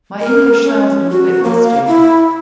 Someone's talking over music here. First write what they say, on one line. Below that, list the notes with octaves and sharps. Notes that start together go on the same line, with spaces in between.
My english sounds a little bit rusty.
A#4
C#4
F#4
A#3
F5
E4